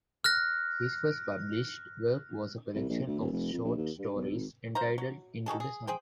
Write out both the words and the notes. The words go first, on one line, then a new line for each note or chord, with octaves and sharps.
His first published work was a collection of short stories entitled "Into the Sun".
F6 F#6 A#6
C2
A#1
D2
D#1
F1
F2
A#1
D#2
G2
B1
G#1
C5 F5 A#5
F#3
D#3 F#4 G#4 A4
G#4
G#4 C5 G5